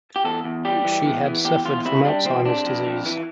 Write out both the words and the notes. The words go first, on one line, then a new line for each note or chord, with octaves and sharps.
She had suffered from Alzheimer's disease.
G4
E2 A4
E2
G3 G4
E3
E2
E3
E2 G4
E2 F4
C3 E4
G3 D4
E2 C4
C3 D4
F2
F2
E3